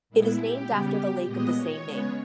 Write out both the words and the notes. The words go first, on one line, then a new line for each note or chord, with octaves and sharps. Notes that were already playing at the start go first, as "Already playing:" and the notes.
It is named after the lake of the same name.
A#2 G#3 B3 E4
G4
C#3 G3 B3
A#2 G#3 B3 D#5
C#5
C#3 G#3 B3